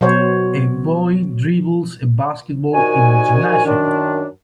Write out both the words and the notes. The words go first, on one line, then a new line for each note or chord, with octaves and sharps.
A boy dribbles a basketball in the gymnasium.
B2 F#3 C5 C#5
C2 A#2 D#3 F#4 G#5
F#2 D#3 D4